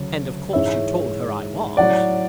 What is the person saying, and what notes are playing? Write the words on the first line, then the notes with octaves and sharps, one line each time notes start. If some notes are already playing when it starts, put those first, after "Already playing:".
"And of course you told her I was."
Already playing: D2 C#3 F#3
G#2 E3 G#3 C#5 E5
A2 F#3 D5 F#5